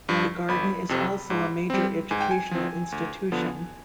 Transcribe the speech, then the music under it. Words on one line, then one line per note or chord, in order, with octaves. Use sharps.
The Garden is also a major educational institution.
G2 F3
G1 B5
F2 C3
G#2
G3 C4
G#2 G#5
G5
G#5
F3 C4
D2
D3 F3 B3